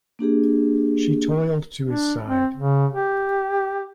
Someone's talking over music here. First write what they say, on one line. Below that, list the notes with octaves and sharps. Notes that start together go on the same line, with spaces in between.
She toiled to his side.
A#3 D4 G4 G#4
D4
C4
C#3
G4